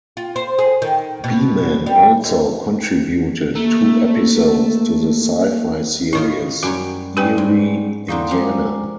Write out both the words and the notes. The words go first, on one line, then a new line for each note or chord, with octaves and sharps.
Beeman also contributed two episodes to the sci-fi series "Eerie, Indiana".
F4
C5
G#4
D#3
B2
G3
D#2
A3 A#3
A2 D#3 E4 F4 C#5
F#2 G3 F#4 C#5
G3 G#3 B3 C#4 G4 B4 D5 G5
G#2
D3 E4 G4 D#5 F5 A#5 C6
F3 G#3 A#5 D6